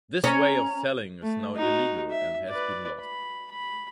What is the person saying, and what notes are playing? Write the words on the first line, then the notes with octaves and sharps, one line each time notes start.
This way of selling is now illegal, and has been lost.
C#4 A#5
A3
D#4 F#4
E5
B4 D5
B5
B5